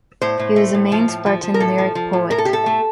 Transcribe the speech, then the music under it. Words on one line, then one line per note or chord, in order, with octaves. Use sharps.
He was the main Spartan lyric poet.
A2 C5
A2
A3
A2
F3
A2
F3
F3
A#4
A2 A4
F3
F3
A2
A2 A#4
A4
G4
A2
A4
A3